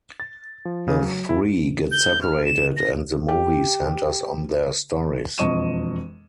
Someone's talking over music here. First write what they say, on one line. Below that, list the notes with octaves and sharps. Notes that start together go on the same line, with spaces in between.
The three get separated and the movie centers on their stories.
A6
F3
C#3
F#3
E4
G6
F6
E7
A#6
G4
E1 F2 D#5 C#6 D#7 E7